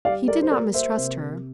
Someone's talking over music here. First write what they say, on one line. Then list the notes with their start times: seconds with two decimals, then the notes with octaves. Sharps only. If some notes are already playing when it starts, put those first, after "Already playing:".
He did not mistrust her.
0.05 G3 D5 F5
0.28 A#4 D5
0.42 C5
0.51 A#3 A#4 D5
0.74 C5 E5
0.97 C3